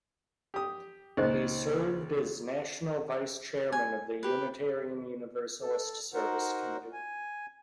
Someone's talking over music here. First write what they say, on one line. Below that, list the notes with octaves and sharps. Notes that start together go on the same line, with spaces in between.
He served as national vice chairman of the Unitarian Universalist Service Committee.
G4 D#6
C#2 A#2 D#4 C5 D#5
G#5
G4 B4
A4
D#4 F#4 A#4 C5 F#5
G#5